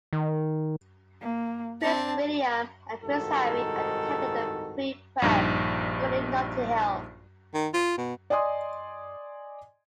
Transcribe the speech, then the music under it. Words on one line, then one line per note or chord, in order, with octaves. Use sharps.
Prince William and Prince Harry attended the pre-prep school in Notting Hill.
D#3
A#3
C4 D4 A5
C2 G#2 D#3 F#4 A4
A#1 G2 D#4
D#3
F4
B2
D5 D#5 G#5 C6 D#6